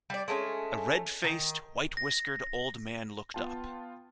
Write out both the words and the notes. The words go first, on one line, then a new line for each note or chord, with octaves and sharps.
A red-faced, white-whiskered old man looked up.
G3 D5
G#3 A3 B3 C#4
D#3
A#6
B3 F4 G5 A5